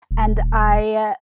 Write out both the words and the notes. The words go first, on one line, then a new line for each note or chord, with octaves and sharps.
and I
D#1